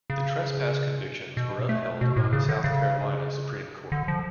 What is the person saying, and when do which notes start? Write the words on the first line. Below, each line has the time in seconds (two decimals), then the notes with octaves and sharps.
The trespass convictions were upheld by the South Carolina Supreme Court.
0.10 C#3
1.37 B2
1.69 A3
2.01 B2
2.16 A2
2.33 C#3
2.49 D3
2.64 C#3
3.92 D3
4.08 F3